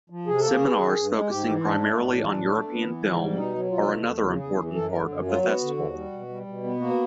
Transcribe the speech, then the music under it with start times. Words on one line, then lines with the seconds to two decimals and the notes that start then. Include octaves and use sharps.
Seminars focusing primarily on European film are another important part of the festival.
0.10 F3
0.27 C3 G#4
0.40 A#3 A4
0.53 G#4
0.62 B3
0.78 D#3
0.96 G2
1.13 G#3
1.30 G#2 G4
1.48 E3
1.64 G#2 D4
1.81 A3
1.99 A2
2.16 E3
2.33 A2
2.51 A3
2.68 B3
2.84 E3
3.03 G#2
3.19 G3
3.36 B2 D#4
3.54 F#3
3.71 B2 F4
3.88 A3
4.05 E2
4.22 C#3
4.40 E2 G#4
4.57 E3
4.74 F#2 A4
4.91 D3 A#4
5.08 F#2
5.26 F#3 F4
5.42 B3 F#4
5.61 D3
5.77 D#2
5.94 G3
6.12 B2
6.29 G3
6.46 B2
6.64 B3
6.80 A#3 F#4